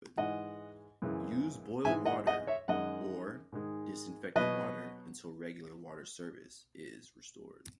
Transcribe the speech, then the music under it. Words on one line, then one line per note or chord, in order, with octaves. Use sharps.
Use boiled water, or disinfected water until regular water service is restored.
G#2 E3 G#3 D#5 F#5
F#2 C#3 E3 G#3
G#2 E3 G#3 E5 G#5
D#5 F#5
D#5 F#5
C#5 E5
F#2 D#3 G#3 D#5 F#5
G#2 D#3 G#3
B2 F#3 B4 D#5